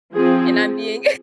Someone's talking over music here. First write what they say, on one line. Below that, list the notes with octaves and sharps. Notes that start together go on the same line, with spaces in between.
and I'm being
F3 C4 G#4